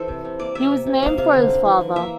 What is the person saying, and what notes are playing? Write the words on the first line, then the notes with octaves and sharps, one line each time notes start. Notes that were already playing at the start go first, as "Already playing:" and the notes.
He was named for his father.
Already playing: E3 A4 C5
C3
C3
A#3 D5
C3 E5
C3
C3
A#3 F5
C3 F5
D3
D3
E3
E3
A#3 E5